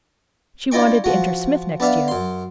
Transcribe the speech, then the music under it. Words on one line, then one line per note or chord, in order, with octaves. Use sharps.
She wanted to enter Smith next year.
D4 E4 F4 D#5 G5 C#6
F3 F#4
B3 D4 E5 F5
F#2 C6